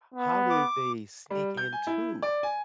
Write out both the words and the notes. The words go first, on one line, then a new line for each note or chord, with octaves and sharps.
how do they sneak into
B3
D6
G3
G6
G#5
E4
D5
G#5